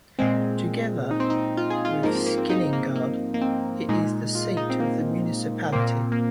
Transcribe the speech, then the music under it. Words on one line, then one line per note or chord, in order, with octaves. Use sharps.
Together with Skillingaryd it is the seat of the municipality.
A#2 G#3 C4
D#4
C4
D#4
F4
G#4
F4
G#2 F3 A#3 D#4
C4
A#3
C4
D#4
A#3
A#3
A#3
C4
A#2 G#3 D#4
F4
D#4
C4
A#3
A#2 A#3 C4
A#3